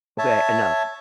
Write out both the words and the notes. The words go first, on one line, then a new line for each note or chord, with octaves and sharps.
okay, eh, none."
C#5 E5 A5